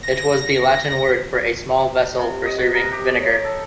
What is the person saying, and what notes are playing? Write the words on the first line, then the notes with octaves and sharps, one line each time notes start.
It was the Latin word for a small vessel for serving vinegar.
A#6
C3
D#5
F#4
A#4
G4
C#5
C#5
A4